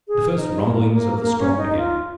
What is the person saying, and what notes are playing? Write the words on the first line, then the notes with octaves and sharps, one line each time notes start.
The first rumblings of the storm began.
G#4
D#4
A#3
A#3
A#3
C#4
D#4
F4